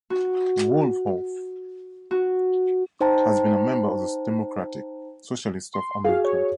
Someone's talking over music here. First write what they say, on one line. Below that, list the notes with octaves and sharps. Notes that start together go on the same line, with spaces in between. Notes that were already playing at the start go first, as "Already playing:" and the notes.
Wohlforth has been a member of the Democratic Socialists of America.
F#4
F#4
D#4 C5 G5 A5 A#5
C6
F#4 G#4 F5
C#5